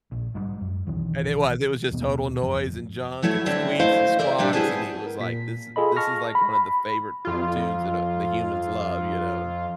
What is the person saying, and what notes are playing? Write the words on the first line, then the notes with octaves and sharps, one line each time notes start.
and it was. It was just total noise and junk and squeaks and squawks, and he was like, "This is This is, like, one of the favorite tunes that, uh, the humans love, you know and"
A#1
G#2 E3 G3
F#2
B1 E2 D#3 E3
D#2 B2 B3
G1 F2
F#3 A3 E4 C#5 D5 E5
D3 G3 C4 C#5 E5 A5
F#3 A3 E4 C5 D#5 F5
E4 A#4 C5 D5
A#2 G3 D4 G4
B3 C4 E4 G#4 C5 A5
A#4
A#2 B6
F4 G#4 A4 D#5 B5
A5 C#6 F6 A#6
B5
F2 F4